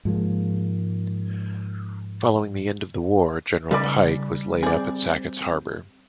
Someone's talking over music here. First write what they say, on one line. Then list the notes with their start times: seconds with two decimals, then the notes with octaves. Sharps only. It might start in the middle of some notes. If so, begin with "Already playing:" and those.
Following the end of the war, "General Pike" was laid up at Sackett's Harbor.
0.05 G#2 F3 G#3 A#3
3.71 C#3 G3 D#4 B4 D5
4.63 C4 G#4 D5